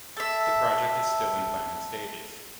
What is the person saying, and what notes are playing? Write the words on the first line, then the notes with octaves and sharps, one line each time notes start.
The project is still in planning stages.
A4 E5